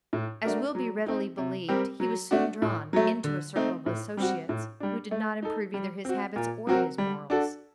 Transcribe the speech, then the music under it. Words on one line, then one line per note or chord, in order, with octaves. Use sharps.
As will be readily believed, he was soon drawn into a circle of associates who did not improve either his habits or his morals.
A2
A3 D4 F#4 A#4
F#3
C4 D#4
C3
G3 C4 G4 A#4
F#3
A3 D4 F#4
A2
F#3 A3
D3
A3 C4 D#4
A2
G3 C4 F#4
A2
G3 D4
A3
D#4 A4
G3
C4 F#4
A#2
F#3 C4 F#4 A#4
G3
D4 F#4 A4